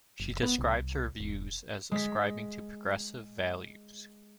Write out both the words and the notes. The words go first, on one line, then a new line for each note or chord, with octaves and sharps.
She describes her views as ascribing to progressive values.
F#1
B3
C2
E1
G#3 B6